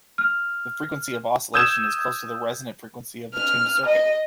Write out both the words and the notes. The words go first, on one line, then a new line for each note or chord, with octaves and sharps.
The frequency of oscillation is close to the resonant frequency of the tuned circuit.
F6
D#6 E6 G6 G#6 E7
F6
D#5